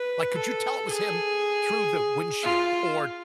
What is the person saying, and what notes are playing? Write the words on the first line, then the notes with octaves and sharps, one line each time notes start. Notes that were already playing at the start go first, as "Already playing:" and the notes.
Like, could you tell it was him through the windshield, or
Already playing: B4
A4
G#4
F4